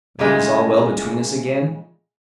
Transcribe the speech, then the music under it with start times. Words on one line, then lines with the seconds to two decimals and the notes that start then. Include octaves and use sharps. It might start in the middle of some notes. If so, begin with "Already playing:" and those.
"But it is all well between us again?"
0.19 A#2 C#3 G#3 A3